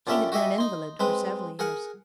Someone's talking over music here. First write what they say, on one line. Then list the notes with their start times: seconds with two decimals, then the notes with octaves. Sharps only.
She had been an invalid for several years.
0.07 A#2 D3 C#4 G4 E5 G5
0.32 F#4 G4 D#5 E5 G#5
0.58 D#4 C6
1.00 G#3 C4 B4
1.59 G#4 A#4 F#5 G#5